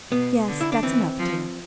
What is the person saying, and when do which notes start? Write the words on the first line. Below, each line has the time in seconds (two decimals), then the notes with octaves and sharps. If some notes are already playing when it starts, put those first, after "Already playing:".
"Yes, that's enough, dear."
0.11 B2 B3
0.48 D3
0.61 E4
0.72 D4
0.82 E3 C4
1.19 F3